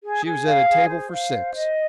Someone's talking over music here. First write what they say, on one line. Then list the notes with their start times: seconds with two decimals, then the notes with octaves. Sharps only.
She was at a table for six.
0.03 G#4
0.24 G#4
0.46 F5
0.68 G#4
0.89 C5
1.11 F5
1.33 C5
1.54 D#5